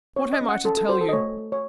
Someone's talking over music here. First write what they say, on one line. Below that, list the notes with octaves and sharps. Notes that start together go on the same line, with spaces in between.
What am I to tell you?
C#4 C#5
D#5
C#4
F#5
C#4 A4
A4
F#4 C5
A4
D#5
A3 C#5
A3
C#5